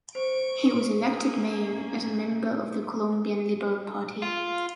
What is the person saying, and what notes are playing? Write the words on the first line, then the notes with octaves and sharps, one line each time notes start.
He was elected mayor as a member of the Colombian Liberal Party.
C5 C#6 D7
A#3 C#4 D#6
F4